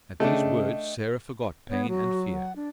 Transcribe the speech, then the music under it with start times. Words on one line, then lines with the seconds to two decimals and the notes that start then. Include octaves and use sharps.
At these words Sarah forgot pain and fear.
0.20 C#3 A3 D4 D#5 G5
1.70 B3 C#5
1.88 F#3 F#4
2.33 F#5
2.56 D4